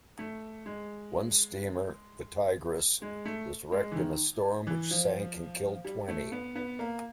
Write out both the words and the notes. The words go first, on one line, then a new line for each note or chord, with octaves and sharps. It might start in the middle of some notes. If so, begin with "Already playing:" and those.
One steamer, the "Tigris", was wrecked in a storm which sank and killed twenty.
A3
G#3
G#3
A3
G#3
E3
D#3
E3
F3
G3
A3
B3
B3
A#3